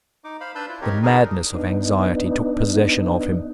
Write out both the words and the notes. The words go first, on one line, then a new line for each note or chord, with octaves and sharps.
The madness of anxiety took possession of him.
D#4 D6
C5 F5 B5
D4 B4 A5 B5 E6 G6
E4 F4
C4 D#4 G4 A#4 C#5
D4 D#4 G#4 A#4 G#5
B3 D4 D#4